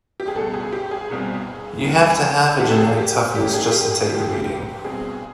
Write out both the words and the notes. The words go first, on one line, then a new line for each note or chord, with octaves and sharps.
You have to have a genetic toughness just to take the beating.
G4
G#4
C#2 B2 G3 A4
G#4
G4
G#4
C2 B2 G3 C4
D#2 D#3 G3
E2 C3 F3 A3 G4
A4
G#4
G4
G#2 E3 A3 C#4 G4
G#4
G4
G#4
G2 D3 F3 A3 G4
G#4
G4
B2 G3 C4 G#4